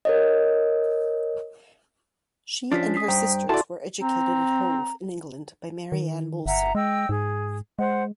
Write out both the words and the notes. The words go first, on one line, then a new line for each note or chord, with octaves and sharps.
She and her sisters were educated at Hove in England by Mary Ann Moulson.
A#4 C#5 D#5
F3 C#4 D4 B6
D#6 B6 C7
G2 C5 G5 A#5
E4 F#4 A4 D5 A5 C6
C4 A#5
D#3
G1 E5 F#5 A#5
G#3 D#5 G5 E6
G#2 G#4
G#3 C5 F#5